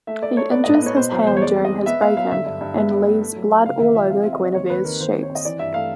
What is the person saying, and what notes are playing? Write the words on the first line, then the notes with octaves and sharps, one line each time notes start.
He injures his hand during his break-in, and leaves blood all over Guinevere's sheets.
A3 E5
A3 D5
A3 C#5
B3 D5
D#5
A2
D#5
B3 C#5
B2 C5
F#3 C5
E2 C5
C#5
G#3 D5
C4
D#5
G#3
B3 E5
B3 F5
F#3 F5
D3 E5
G2
G2
B3 E5
G3
B3
A3
F#3
A3
C#3 F5
D#2 E5
F3 E5
C4 F5
C4 E5
D#5
C4 D5
D#2 C#5
D#2 B4
D#3 A#4
D#2 C5
C4
C#5
C4
D#5
E3 D5
G2 E5
A3 F5